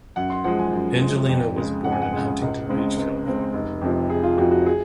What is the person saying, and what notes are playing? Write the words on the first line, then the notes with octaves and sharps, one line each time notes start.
Angelina was born in Huntington Beach, California.
F#2 F#5
C6
F3 G#3 F#5
G#5
F#2
F3 G#3
F2
C#3 G#3
F2 F#5
G#5
F#5
G#3
C#3
C#2
C#3 G#3 C4
C#2
C#3 G#3 C4
F1
F2 C3 F3
F1 G#4
F4
F2 C3 F3 F#4
F#4
G#4